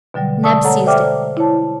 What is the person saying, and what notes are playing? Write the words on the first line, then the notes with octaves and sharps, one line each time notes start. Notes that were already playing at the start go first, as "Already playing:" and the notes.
Neb seized it.
B2 D3 F#3 G3
G#3 D5 A5 C#6 D#6 E6
A4 C#5 F#5 A#5
C5 D5 E5 G5 D6 F6
E4 C#5 A5